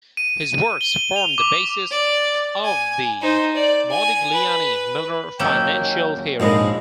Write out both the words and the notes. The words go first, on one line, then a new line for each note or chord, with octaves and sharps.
His works formed the basis of the "Modigliani-Miller Financial Theory".
D#7
G7
F7
D6
D5
G#5
D#4 C5
D5
G#5
B4
D#2 F#3 A#3 C#4 D#5 G5 E6 E7
A#1 G#2 G#3 C4 A#4 C#5 D#5 B5